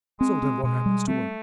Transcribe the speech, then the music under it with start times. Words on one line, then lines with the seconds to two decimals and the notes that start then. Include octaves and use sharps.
So then what happens to her?
0.20 G#3 C4
0.42 C4
0.63 B2 G#3
0.86 G3
1.08 A3 C4